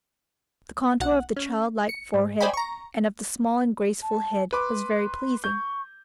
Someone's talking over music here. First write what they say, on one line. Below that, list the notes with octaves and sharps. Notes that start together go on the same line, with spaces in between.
The contour of the child-like forehead and of the small and graceful head was very pleasing.
B1 F#5
C#4
C#7
G#2
C5 D5 D#5 G5 G#5 B5
A#5 C#6
A5
B4 C6 D6
C#6 G6